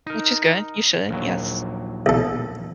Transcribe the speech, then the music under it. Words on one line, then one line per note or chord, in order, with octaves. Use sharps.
Which is good, you should. Yes.
D#4 A#4
A#1 D#2 F#3
B1 A4